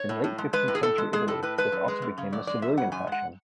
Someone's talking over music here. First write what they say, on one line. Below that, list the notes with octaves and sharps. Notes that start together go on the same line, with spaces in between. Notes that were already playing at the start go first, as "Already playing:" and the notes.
In late fifteenth century Italy this also became a civilian fashion.
Already playing: C#5
A2
A2
G#3
G#3 B4
A2
G#4
A2 A4
G#3
G#3 G#4
A2 A4
A2 B4
G#3 B4
F#2
G#3
F#2
C#3
F#2 D5
G#3 D5
F#2 E5
C#3 F#5
F#2 G#5
G#3 F#5